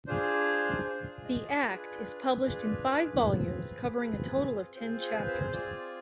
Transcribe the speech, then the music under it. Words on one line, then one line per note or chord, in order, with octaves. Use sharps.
The Act is published in five volumes covering a total of ten chapters.
D4 F4 G#4 C5
D4 F4 G#4 C5
D#5
D5
D4 F4 G#4 B4
D4 F4 G#4
C4 F4 G#4
C4 F4 G#4
C4 F4 G#4 C5
C5
B4
C5
C4 F4 G#4 D5
D5